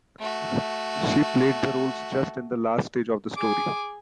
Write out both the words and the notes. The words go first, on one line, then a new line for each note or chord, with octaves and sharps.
She played the roles just in the last stage of the story.
A3 F#4
G#4 G#5 D6